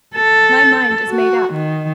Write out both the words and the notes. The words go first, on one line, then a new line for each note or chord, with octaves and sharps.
My mind is made up.
A4
F#4
D#3